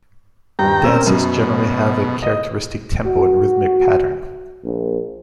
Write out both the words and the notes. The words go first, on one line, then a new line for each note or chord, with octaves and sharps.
Dances generally have a characteristic tempo and rhythmic pattern.
D#1 G2 G5 A#5
A#3 C4 C#4 A#4 E6
F#2 B2
D#5
F#4
A#1